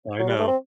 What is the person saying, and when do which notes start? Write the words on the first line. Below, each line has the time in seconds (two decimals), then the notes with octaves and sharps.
I know.
0.20 F#3
0.29 G3
0.39 A3
0.48 C4